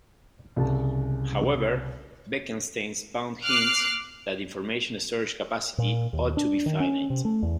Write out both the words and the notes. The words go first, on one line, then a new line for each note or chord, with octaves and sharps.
However, Bekenstein's bound hints that the information storage capacity ought to be finite.
C2 C#3 A5
D6 F6 F#6 C7
A#2
D#2
D4
D#3
C#4
C3
A3
E2